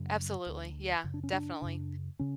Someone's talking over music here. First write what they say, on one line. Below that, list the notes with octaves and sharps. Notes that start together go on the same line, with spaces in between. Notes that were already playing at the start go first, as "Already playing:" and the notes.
Absolutely, yeah, definitely.
Already playing: F#2 C#3
D2 D3
F#2 C#3
D4
C#4
D4
F#2 C#3
C#3 C#4